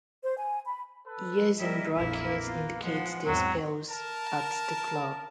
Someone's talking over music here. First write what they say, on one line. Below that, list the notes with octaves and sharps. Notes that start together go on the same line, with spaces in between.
Years in brackets indicate their spells at the club.
C5
G#5
B5
A4 B4
G3 A#3 E4 A#4 D#5 E5
A#1 F2 A#3 E4
B3 F4
F3 G#3 F#5
E2 G#2 F#3 C4
A#4 A5